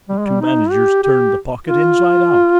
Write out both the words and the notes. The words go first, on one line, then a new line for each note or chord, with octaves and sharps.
The two managers turned the pocket inside out.
G3
G#3
G3
D#4
G4
G4
F4